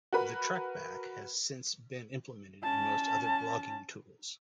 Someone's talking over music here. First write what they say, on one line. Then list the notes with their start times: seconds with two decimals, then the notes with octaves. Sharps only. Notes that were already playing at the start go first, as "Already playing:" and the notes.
The TrackBack has since been implemented in most other blogging tools.
0.13 F#4 A#4 B4 B5
2.64 C#4 A5